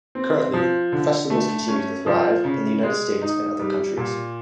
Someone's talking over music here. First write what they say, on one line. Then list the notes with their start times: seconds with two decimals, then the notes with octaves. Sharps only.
Currently, festivals continue to thrive in the United States and other countries.
0.15 C4
0.54 F3
0.92 D3
1.30 A3
1.68 C#4
2.06 F3
2.44 C#3
2.83 G#3
3.21 D#4
3.59 G3
3.97 A#2